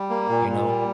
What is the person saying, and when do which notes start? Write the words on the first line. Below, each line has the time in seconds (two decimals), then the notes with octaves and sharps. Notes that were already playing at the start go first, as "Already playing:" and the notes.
You know?
Already playing: G3
0.10 A#3
0.29 A#2
0.49 A#2
0.67 G3